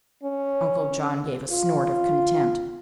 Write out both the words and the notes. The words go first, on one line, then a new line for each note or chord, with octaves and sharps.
Uncle John gave a snort of contempt.
C#4
F4